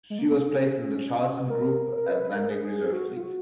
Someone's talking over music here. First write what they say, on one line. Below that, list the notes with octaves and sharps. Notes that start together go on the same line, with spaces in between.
She was placed in the Charleston Group, Atlantic Reserve Fleet.
G#3
A#3
B3
C#4
A#4
A#4
B4
B4
A#4
G#4
G#4
F#4
F4
F#4